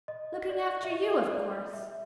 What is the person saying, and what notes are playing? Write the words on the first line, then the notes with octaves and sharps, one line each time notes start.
"Looking after you, of course."
D#5
D5
E5
D#5
D5
E5